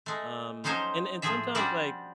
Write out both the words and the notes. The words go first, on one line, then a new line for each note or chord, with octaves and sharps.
Um, and and sometimes, like,
G#3 A3
F3 F#3 C#4 D#4 C5 C#5
A2 F3 G#4 E5
F3 G3 C#4 D4 F#4 D5